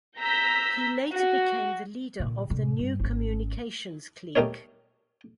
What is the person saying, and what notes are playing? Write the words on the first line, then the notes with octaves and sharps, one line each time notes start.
He later became the leader of the New Communications Clique.
A#5 E6 G6 B6
F#4
A#2 D3
A2 C3
G2
G#1 C#4
G3 A3 D#4 A#4 C#5